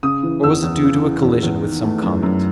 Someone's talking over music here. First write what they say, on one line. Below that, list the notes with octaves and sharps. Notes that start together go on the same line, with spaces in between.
Or was it due to a collision with some comet?
C#3 D#6
E3
E2 E6
E2
C#3
E3
E2
E2
D#3
A3
F#2
F#2